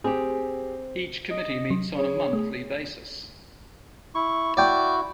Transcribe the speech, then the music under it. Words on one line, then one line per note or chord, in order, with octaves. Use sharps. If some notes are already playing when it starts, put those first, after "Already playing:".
Each committee meets on a monthly basis.
C4 G4 G#4
D#5
F#3
G#4 C#5
A3 G#4
E4 C#6
E4 F#4 D5 G5